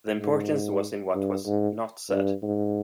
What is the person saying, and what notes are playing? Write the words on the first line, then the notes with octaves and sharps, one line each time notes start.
The importance was in what was "not" said.
G#2
G2
G#2
G2
G#2